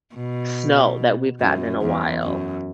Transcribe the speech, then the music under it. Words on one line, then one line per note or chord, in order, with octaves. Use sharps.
snow that we've gotten in a while.
B2
F#2
E2
F#2